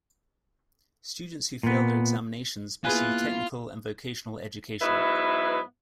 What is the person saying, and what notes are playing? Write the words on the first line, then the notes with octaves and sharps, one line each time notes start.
Students who fail their examinations pursue technical and vocational education.
A#2 B3
A#3 B3 E4 F4 G#4 B4 G#5 F#6
G#2 F#3 B3 E4 B4 E5